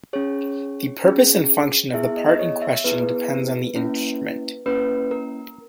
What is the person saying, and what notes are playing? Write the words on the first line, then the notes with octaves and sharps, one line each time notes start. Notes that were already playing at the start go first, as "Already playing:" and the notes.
The purpose and function of the part in question depends on the instrument.
C#4 G#4 C#5
C#4 G#4
B3 E4 G#4 E5
D#5
D#5
C#5
E5
B3 E4 G#4 B4
A#3 C#4 E4
A#3 C#4 E4 B4
A#4